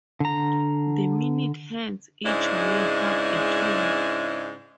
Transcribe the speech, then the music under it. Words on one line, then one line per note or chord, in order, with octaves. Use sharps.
The minute hands each weigh half a ton.
D3 A#5
G#2 C#3 G#3 D4 E4